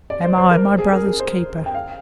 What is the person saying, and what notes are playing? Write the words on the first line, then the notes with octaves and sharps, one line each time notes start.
"Am I my brother's keeper?"
D5
C5
C5
A#4
G#4
A#4
G#4
C5
G5
F5